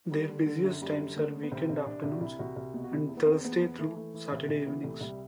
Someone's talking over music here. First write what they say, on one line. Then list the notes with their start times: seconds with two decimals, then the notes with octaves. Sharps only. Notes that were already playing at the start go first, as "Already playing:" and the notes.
Their busiest times are weekend afternoons and Thursday through Saturday evenings.
0.11 D3 G3
0.29 D3
0.46 D3
0.64 F#2
0.81 F#2 G3
0.99 D3
1.16 D3 A3
1.34 D3
1.43 B3
1.52 C2 C4
1.70 C2
1.86 C2 D4
2.04 C2
2.11 F#4
2.21 C2 E4
2.39 C2 F#4
2.56 C2
2.74 B2
2.84 F#4
2.91 C3 E4
3.09 E2
3.17 B3
3.26 E2 C4
3.44 E2 B3
3.61 E2 B3
3.78 E3 A3
3.96 E3 A3
4.14 E3
4.32 C2
4.49 C2
4.66 E3 B3
4.83 C2 A3
5.01 C2 G3